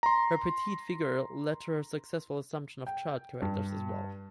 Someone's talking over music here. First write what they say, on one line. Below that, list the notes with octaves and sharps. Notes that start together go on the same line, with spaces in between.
Her petite figure led to her successful assumption of child characters as well.
A#5 C6
G5
G2